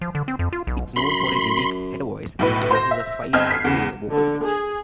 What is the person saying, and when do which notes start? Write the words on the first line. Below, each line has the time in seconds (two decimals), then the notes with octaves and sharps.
He is known for his unique head voice and possesses a five-octave vocal range.
0.01 F3
0.15 D3
0.28 C4
0.39 F2
0.53 F4
0.67 B1
0.96 F#2 B5 C6
2.39 B1 A2 B4
2.71 C5 G6 A#6
2.91 E5
3.33 G1 C4 D#5 F6 G6 G#6
3.51 B6 C7
3.64 E2 C#3
4.11 D3
4.46 G#4